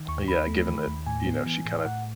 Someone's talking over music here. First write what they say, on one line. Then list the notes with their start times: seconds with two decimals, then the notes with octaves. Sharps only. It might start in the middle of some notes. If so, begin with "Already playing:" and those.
Yeah, given that, you know, she kind of
Already playing: D#3
0.08 D#2 C#6
0.28 D#2 B5
0.48 A3
0.68 D#3
0.87 D#2
1.06 A2 G#5
1.26 B3
1.46 E3
1.65 A2
1.85 A2 F#5